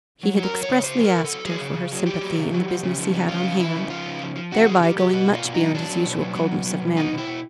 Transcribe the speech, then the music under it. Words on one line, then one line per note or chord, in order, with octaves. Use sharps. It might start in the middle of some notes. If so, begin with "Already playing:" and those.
He had expressly asked her for her sympathy in the business he had on hand,--thereby going much beyond his usual coldness of manner.
F#3
F#3
A#4
F#3
C#5
C#3
C#3 C5
F#3
A#4
C#3
A4
F#3
F#3 G#4
C#3
C#3
F#3
F#3 G4
F#3
C#3
F#3
F3
C#3
F3
C#3
C#3 F4
F3
F3 E4
C#3
F3 F4
C#3
F3
F3
C#3 F#4
F3 G#4
F3 G4
C#3 G4
B2 F#4
B2 F4
B2
F#3 D#4
F#3 D4
F#3
B2
F#3
F#3
B2
F#3
B2
B2 D#4
B2
E4
B2